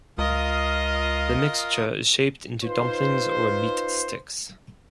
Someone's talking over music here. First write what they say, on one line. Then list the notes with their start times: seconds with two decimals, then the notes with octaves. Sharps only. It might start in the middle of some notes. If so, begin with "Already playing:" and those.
The mixture is shaped into dumplings or meat sticks.
0.18 C#2 F4 A#4 D#5 F5 D#6
2.64 D#4 F4 B4 C5